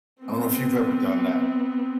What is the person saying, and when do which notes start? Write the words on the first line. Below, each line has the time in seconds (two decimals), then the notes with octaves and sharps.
I don't know if you've ever done that.
0.23 B3 C4